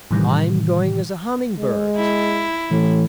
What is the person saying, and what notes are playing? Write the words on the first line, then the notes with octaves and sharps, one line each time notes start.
I am going as a humming bird.
A2 C3 D#3 E3 G3
G#3
E4
A2 E3